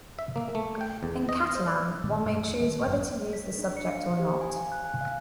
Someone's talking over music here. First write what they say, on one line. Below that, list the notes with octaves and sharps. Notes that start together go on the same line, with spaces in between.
In Catalan, one may choose whether to use the subject or not.
E5
A#3
A3
G5
E2
D#5
C5
D5
A#2 D#3 G#3
G2 B2 G#3
F2
A2 D#3 G3
G1 F2 G#2 F#3
B6
D4
C#7
F5
C5
G4
G#5
F5
F#6
G#5
F5